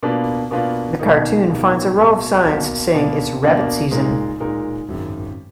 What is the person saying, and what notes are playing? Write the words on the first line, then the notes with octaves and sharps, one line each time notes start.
The cartoon finds a row of signs saying it's rabbit season.
B2 A#3 D4 F4 B4
B2 A#3 D4 F4 B4
B1 B2 A#3 D#4
B1 B2 A#3 D#4
B1 B2 A#3
B1 B2 A#3
B2 A#3 D4
B2 A#3 D4
A#2 G#3 D#4 A#4
A#2 G#3 D#4 A#4
G#1 F#2 D#3 G#3